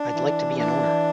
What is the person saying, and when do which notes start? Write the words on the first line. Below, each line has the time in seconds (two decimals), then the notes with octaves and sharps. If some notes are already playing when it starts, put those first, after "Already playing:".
I'd like to be an owner.
Already playing: D4
0.15 E3
0.58 D4